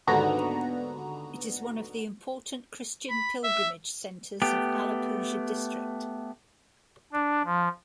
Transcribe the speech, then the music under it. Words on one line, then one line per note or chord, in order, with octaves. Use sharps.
It is one of the important Christian pilgrimage centers of Alappuzha district.
D#2 G#2 D3 B3 F#4 A#5
B5
E5
A3 B3 G4
D4
F3